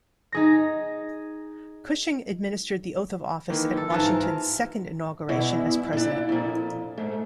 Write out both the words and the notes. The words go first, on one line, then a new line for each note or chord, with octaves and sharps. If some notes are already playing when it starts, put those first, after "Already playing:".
Cushing administered the oath of office at Washington's second inauguration as president.
D#4 G#4 A#6
D#3 E3 A#3
A4
G#2 E3 F4 E5 A5
A#4
E2 G2 B2 E4
A#2 D4
F2 A#2
G#2 A3